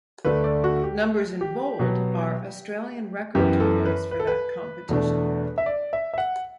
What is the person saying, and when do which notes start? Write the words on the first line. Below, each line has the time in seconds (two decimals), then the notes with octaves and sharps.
Numbers in bold are Australian record totals for that competition.
0.25 D2 D3 A3 D4 B4
0.44 D5
0.64 F#4
0.83 G4
1.41 G4
1.79 B2 F#3 B3
3.35 F#2 E3 B3 G4
3.60 A4
3.86 B4
4.11 B4
4.20 A4
4.27 B4
4.89 E2 B2 A3 D4
5.58 E5
5.66 D5
5.93 E5
6.14 E5
6.18 F#5